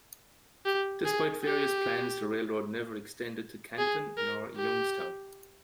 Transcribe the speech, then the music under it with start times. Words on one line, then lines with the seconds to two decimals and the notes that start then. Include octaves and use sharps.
Despite various plans the railroad never extended to Canton nor Youngstown.
0.65 G4
1.05 G#4
1.43 G4
3.78 G#4
4.17 A#4
4.56 G4